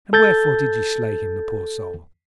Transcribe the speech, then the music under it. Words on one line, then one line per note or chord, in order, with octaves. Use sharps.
And wherefore did ye slay him, the poor soul?
A4 G6 A6